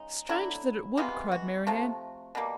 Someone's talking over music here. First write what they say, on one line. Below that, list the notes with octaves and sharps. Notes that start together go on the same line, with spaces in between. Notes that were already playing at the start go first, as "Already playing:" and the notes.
"Strange that it would!" cried Marianne.
Already playing: C#3 G#3 D#4
D3 F#3 A3 E4
C3 E3 G#3 B3 F4
F#4
C3 F3 A3
B2 G3 A#3